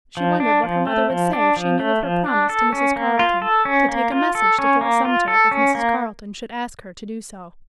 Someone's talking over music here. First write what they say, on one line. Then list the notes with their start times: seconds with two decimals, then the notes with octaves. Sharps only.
She wondered what her mother would say if she knew of her promise to Mrs. Carleton to take a message to Fort Sumter if Mrs. Carleton should ask her to do so.
0.17 F3
0.40 D4
0.64 F3
0.87 A3
1.10 F3
1.33 D4
1.56 F3
1.80 A3
2.03 F3
2.26 D4
2.49 A4
2.73 C#4
2.96 A#3
3.19 F4
3.42 A4
3.65 C#4
3.89 A#3
4.12 F4
4.35 A4
4.59 C#4
4.81 A#3
5.05 F4
5.28 A4
5.51 C#4
5.75 A#3